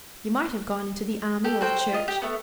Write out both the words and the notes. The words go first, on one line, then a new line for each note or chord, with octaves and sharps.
You might have gone into the army or the Church.
G4 A4
F#4 A4 C5 G5
C5
F4 D#5
G4
A3 B3